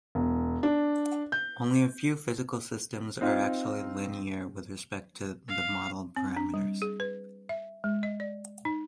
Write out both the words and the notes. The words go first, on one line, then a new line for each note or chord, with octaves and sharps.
Only a few physical systems are actually linear with respect to the model parameters.
E1
D4
G6
C4 D#4 F4
F5
C4
D4
G3
G#4
B4
E5
G#3
D#5
D5
D#4